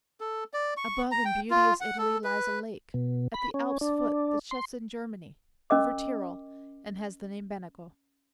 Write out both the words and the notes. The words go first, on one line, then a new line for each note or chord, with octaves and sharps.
Above in beauteous Italy lies a lake At the Alp's foot that shuts in Germany Over Tyrol, and has the name Benaco.
A4
D5
C#6
A#5
G5
F4
F#5
A4
B4
B2
B5
C#4
D4
C6
C#4 A#4 D#5 D6